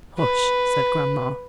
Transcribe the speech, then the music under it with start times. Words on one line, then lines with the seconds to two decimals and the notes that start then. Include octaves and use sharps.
"Hush!" said grandma.
0.19 B4